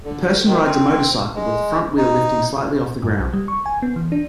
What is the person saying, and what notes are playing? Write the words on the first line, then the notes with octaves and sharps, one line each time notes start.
A person rides a motorcycle, with the front wheel lifting slightly off the ground.
D3
D#3
C4
G#3
D#4
G2
B1
G3
C#6
G#5
B3
E3
D4